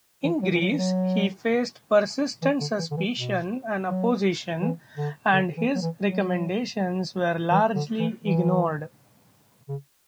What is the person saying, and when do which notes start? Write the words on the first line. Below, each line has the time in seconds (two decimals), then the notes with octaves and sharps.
In Greece, he faced persistent suspicion and opposition and his recommendations were largely ignored.
0.24 E3
0.43 F#3
0.54 E3
0.61 F#3
0.71 E3
0.78 F#3
2.42 E3
2.60 D3
2.78 E3
2.91 D3
2.97 E3
3.16 B2
3.88 F#3
4.61 E3
4.97 D3
5.33 D3
5.57 E3
5.75 F#3
5.82 E3
6.05 F#3
7.51 E3
7.75 D3
7.99 E3
8.24 E3
9.69 C#3